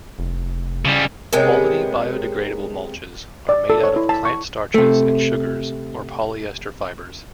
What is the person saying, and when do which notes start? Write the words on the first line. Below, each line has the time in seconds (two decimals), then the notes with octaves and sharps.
Quality biodegradable mulches are made out of plant starches and sugars or polyester fibres.
0.19 F1
0.85 C#3 G3
1.33 C3 G#3 B3 A#4 C#5
3.49 D5
3.70 A4
3.84 C#5
3.96 E4
4.09 A5
4.25 C#6
4.74 C3 A3